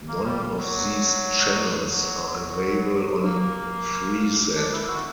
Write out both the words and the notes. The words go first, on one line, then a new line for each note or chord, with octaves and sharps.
None of these channels are available on Freesat.
A#3
G3
F#3
F#3
A#3
D4
E4
F#4